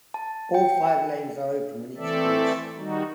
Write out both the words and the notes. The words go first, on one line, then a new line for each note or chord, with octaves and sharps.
All five lanes are open on each bridge.
A5
G5
E3 A3 C4 A4 D5 E5
D#3 G3 D#4 F#4